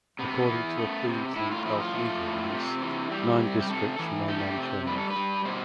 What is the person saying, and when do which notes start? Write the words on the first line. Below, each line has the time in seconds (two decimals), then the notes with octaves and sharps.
According to a Queensland Health media release, nine districts remain unchanged.
0.19 C3 B3
0.49 E3
0.78 A3
1.07 C3
1.36 A2 E4
1.51 F4
1.65 F3 E4
1.80 F4
1.95 A3
2.24 A2
2.53 C3
2.82 E3
3.11 G3 G4
3.40 C3
3.60 G4
3.69 C3 A4
3.99 E3
4.28 A3 G4
4.57 C3
4.86 G3 B4
4.98 A4
5.10 B4
5.16 G3
5.45 B2 C5